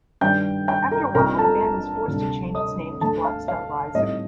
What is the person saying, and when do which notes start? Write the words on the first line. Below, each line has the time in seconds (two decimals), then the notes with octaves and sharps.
After a while the band was forced to change its name to Blackstar Rising.
0.21 G2 D#3 G3 D4 G5 G6
0.68 G5 G6
0.91 A#4 A#5
1.14 A#1 A#2 G3 C4 D#4 A#4 A#5
1.38 A4 A5
2.08 D2 C3 G3 D4
2.55 D#5 D#6
3.01 D2 D3 A3 A4 A5
3.25 F5
3.48 F5
3.95 A2 G3 C4 D#4 D#5